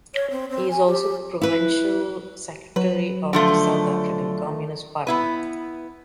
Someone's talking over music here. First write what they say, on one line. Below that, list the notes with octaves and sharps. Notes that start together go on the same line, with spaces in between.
He is also the provincial secretary of the South African Communist Party.
C#5
C4
C4
G#5
G4
E4 B4
F#3 B4
D3 F3 A3
B3 E4 B4